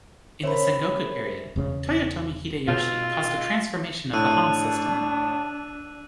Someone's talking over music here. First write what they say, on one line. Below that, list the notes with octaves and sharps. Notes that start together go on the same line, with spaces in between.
In the Sengoku period, Toyotomi Hideyoshi caused a transformation of the han system.
C#4 A#4 C5 C#5 E5 B5
E1 C#3
B2 F4
A2 D4 A5 E6 F#6 D#7